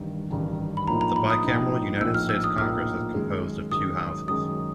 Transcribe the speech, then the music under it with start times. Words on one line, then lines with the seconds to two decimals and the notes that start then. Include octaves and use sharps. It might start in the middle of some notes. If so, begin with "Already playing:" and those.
The bicameral United States Congress is composed of two houses.
Already playing: A1 G2 D#3
0.30 A1 G2 D#3
0.77 B5
0.87 A#1 A2 F3 A#3 D#4 A#5
1.01 A#5
1.16 B5
1.30 D#6
1.44 A#1 A2 F3 A#3 D#4
2.00 A#1 A2 F3 A#3 D#4 E6
2.14 F6
2.29 E6
2.44 D#6
2.58 A#1 A2 F3 A#3 D#4 F6
3.14 F#2 D#3 G#3
3.71 F#2 D#3 G#3 D#6
4.28 F#2 D#3 G#3 D#6